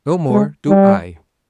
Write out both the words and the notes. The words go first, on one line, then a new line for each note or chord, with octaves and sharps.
"No more do I!"
G#3
G3